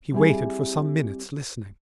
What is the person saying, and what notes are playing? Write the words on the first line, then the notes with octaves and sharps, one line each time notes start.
He waited for some minutes listening.
G3 C4 E4 G4 G#4